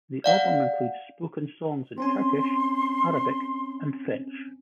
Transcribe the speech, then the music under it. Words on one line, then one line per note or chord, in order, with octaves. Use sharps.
The album includes spoken songs in Turkish, Arabic, and French.
D5 F5 F#5
C4 C#4 G#5 C6